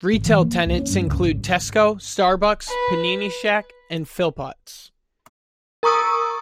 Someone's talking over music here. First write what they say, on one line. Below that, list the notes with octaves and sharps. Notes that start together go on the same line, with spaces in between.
Retail tenants include Tesco, Starbucks, Panini Shack and Philpotts.
G#1
E3
A#3
C#2
C#4
G2
C#2
G#1
B4
A#4 A#5 C#6 D#6 E6